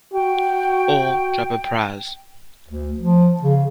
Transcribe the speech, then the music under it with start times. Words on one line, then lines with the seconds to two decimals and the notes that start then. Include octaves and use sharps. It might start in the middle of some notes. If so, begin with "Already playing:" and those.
Or drop a prize.
0.13 F#4 G5
2.68 D2
2.99 F3
3.41 C#3